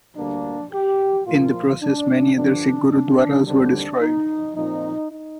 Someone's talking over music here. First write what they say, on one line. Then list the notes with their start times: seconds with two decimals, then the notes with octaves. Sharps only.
In the process, many other Sikh Gurdwaras were destroyed.
0.17 D2 D3 G3 A#3 D4
0.71 G4
1.26 A#2 F3 A#3 F4
1.81 D4
2.36 G2 D3 F3 D4
2.91 D4
3.45 D#2 D3 G3 C4 D4
4.00 D#4
4.54 A#2 F3 C4 D#4
5.09 D#4